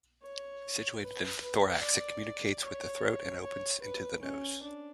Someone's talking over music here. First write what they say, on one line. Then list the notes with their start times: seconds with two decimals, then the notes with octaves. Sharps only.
Situated in the thorax, it communicates with the throat and opens into the nose.
0.23 C#5
1.02 B4
1.42 B4
1.82 D5
2.62 C#5
3.42 C#5
3.82 B4
4.22 C#4
4.63 D4